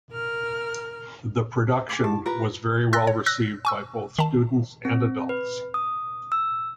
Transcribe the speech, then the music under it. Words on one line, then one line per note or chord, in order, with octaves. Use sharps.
The production was very well received by both students and adults.
A#4 F6
G#5 C6 D6
E4 G4 A5
F4 A#4 B4 A#5
C6 E6 F#6 A6 A#6
C#5
E6 F#6 A#6
G#5 C#6 E6
D#3 A5
C4
B4
D#6
E6